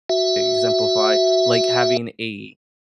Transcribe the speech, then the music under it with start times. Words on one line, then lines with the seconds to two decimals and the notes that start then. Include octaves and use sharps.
exemplify, like, having a
0.09 F#4 E5